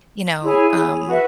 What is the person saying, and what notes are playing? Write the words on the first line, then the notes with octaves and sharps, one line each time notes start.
you know, um
E4 G#4 C#5 G#5
F#4 B4 E5